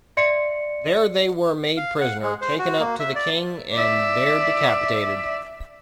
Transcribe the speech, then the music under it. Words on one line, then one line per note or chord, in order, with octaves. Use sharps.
There they were made prisoner, taken up to the king and there decapitated.
D5 E5 C6 C7 C#7
F5
F#5
G#3
C5
F#4
A#3
E5
D5
D5 E5